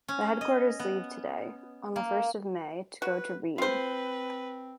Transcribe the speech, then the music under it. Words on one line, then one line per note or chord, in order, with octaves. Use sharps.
The headquarters leave today, on the first of May to go to Ried.
C#4
D#5
B3
A#3
F#4 B4
C4 F4 B4 C5